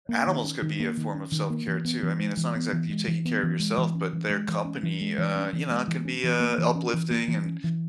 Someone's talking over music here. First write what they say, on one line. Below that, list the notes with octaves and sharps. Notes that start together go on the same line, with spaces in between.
Animals could be a form of self-care too. I mean, it's not exactly you taking care of yourself, but their company, uh, you know, it can be, uh, uplifting and
A#3
D#3
C#4
D#3
A#3
D#3
C#4
D#3
A#3
E3
B3
E3
G#3
E3
B3
E3
G#3
E3
B3
E3
G#3
E3
C#4
E3
G#3
E3
C#4
E3
G#3
E3
C#4
E3
G#3
E3
C#4
E3
A#3
E3
C#4
E3
A#3
E3
C#4
E3